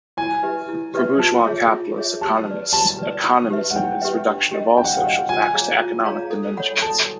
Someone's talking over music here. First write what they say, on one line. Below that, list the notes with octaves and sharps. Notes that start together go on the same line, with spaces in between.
For bourgeois capitalist economists, "economism" is reduction of all social facts to economic dimensions.
E4 G#5
G4 B4 E5
E4
G4 B4 E5
F4 A5
G#4 C#5 E5
F4
G#4 C#5 E5
G4 A5
B4 D5
G4 A5
B4 D5
D#4
G4 B4 E5
F#5
D#4 G5
G4 B4 E5
D4
G4 A#4 D#5
D4 G5
F#5
F5
F#5
G4 A#4 D#5
F4 G#5
G#4 C#5 F5 A#5
F4
G#4 C#5 F5 A#5
A4
C#5 F#5 B5
A4 A5